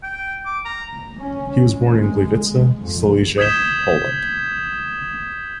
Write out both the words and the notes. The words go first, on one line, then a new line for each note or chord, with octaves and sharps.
He was born in Gliwice, Silesia, Poland.
G5
D6
A#5
C#4
G#3
F2
D#6 G6 G#6 B6 E7 G7